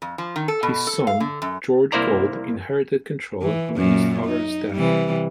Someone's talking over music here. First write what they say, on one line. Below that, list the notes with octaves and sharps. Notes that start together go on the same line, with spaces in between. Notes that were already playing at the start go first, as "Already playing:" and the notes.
His son George Gould inherited control upon his father's death.
F2
F3
D#3
A4
B2
A4
F5
D3
F#2
C2 A#3 E4 C5 D5 A#5
E3
F#2 A#2
D#4
C3 E3 G3